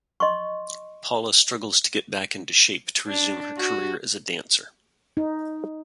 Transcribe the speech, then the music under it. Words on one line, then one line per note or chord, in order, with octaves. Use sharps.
Paula struggles to get back into shape to resume her career as a dancer.
D#5 C6 C#6
D4
F#4
D#4